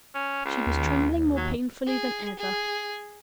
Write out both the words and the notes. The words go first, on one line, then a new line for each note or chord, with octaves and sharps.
She was trembling more painfully than ever.
C#4
C#2
D#2
F#3
G#4
G#4